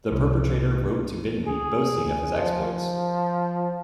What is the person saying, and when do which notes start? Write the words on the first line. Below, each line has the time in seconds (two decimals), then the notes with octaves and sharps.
The perpetrator wrote to Binley boasting of his exploits.
0.12 C2
1.47 G#4
2.34 F3